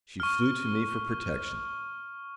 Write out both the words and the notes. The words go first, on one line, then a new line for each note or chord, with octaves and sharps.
She flew to me for protection.
C#6 F6